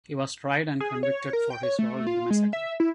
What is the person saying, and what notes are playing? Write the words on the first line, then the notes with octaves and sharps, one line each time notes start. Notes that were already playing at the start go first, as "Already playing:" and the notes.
He was tried and convicted for his role in the massacre.
G#4
C#5
A#4
G5
C#5
A3
F4
G#3
E5
E4